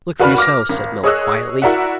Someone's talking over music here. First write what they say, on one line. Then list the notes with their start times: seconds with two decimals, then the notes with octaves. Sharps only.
"Look for yourselves," said Melick, quietly.
0.20 D#2 F#4 B4 D5 B5 F6
0.38 D6 F6 A#6
0.69 G#1
1.03 G#4 C#5 D#5 D#6 E6 F#6
1.62 E4 F#4 A#4 D5 E5 F#5